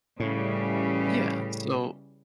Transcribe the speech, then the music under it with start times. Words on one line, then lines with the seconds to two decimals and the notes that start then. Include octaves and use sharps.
Yeah, so
0.20 A2 C#3 E3 G3